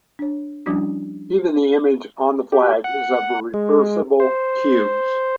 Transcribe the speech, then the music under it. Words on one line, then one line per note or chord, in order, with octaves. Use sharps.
Even the image on the flag is of reversible cubes.
D4 C#5
F3 G3 C#4 D4 E4 F#4
G4
F#5
G#3
C5